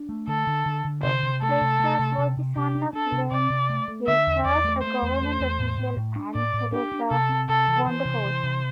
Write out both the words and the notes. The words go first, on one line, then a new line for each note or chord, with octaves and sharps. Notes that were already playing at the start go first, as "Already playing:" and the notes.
Weierstrass was the son of Wilhelm Weierstrass, a government official, and Theodora Vonderforst.
Already playing: D4
A3
D3 A4
D3
D3
D3
C3 C5
C3
A3 A4
C3
A3
C3
C3
C3
C3 G4
D4
D4 A4
C3
C3 D5
C3
A3
A3
D3 E5
E2
E2 D5
A3
A3 C5
E2
A3
E2
A2
A2
A2
D4
A2 D5
A2
D4 G4
D4
C3 A4
C4
C3 A4
E3
E3 C5
C3
E3
C3